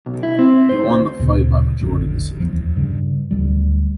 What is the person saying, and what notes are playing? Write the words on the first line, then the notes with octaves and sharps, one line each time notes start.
He won the fight by majority decision.
B1
E4
C4
C5
D2
D2 A#2 C#3 B3
E1 A1 F2 D3
D1 E2 F3
G2 C#3
D1 D2 G3